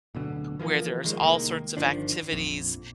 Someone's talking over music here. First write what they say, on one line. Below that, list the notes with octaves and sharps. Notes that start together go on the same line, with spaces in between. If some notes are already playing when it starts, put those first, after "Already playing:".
where there's all sorts of activities,
D1 B2 D3
E3 F3 A3 A#3
D#3 F3 G#3
C2 D#3 G#3 A#3
G1 D#3 F3 D4
A#1 F2